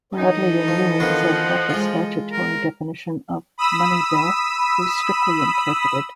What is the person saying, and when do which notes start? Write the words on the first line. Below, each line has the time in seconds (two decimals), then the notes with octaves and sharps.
Bradley and Ewing said that the statutory definition of Money Bill is "strictly interpreted".
0.18 E3 D#4 A4 D#5
0.68 F3
1.00 D3 D#3 F3 B3 F#5
1.70 G#3 F4
2.32 A#4
3.58 B5 D#6 E6